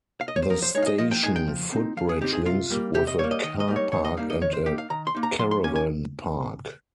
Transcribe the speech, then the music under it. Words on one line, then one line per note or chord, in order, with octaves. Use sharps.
The station footbridge links with a car park and a caravan park.
F5
D#5
C#5
C5
F3 A#4
C5
G#3 D#4 C#5
F5
D#5
F3 D#5
G5
G#3 D#4 G#5
G5
F3
C4 D#4
F3 F5
G#4
C4 D#4 G4
G#4
C3 F4
G3 A#3
C3 G4
D#5
G3 C#5
A#3
D#5
D#3 D#5
D#5
G3 A#3 D#4
C#5
D#3 C#5
D#5
G3 A#3 D#4 F5
D#5
D#3 C#5
C5
A#3 D#4 G4
F5
D#3 A#5
C6
A#3 D#4
A#5
F3 C6
C6
A#3 C#4 G#5
G#5